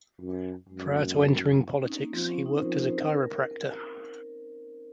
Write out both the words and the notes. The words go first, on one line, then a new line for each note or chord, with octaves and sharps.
Prior to entering politics, he worked as a chiropractor.
F#2
F#2 G#3
A#3
A#3
C4
C#4
D#4
A#3
F3 C4
C#4
D#4
C5
F3 A#4
C5
A#4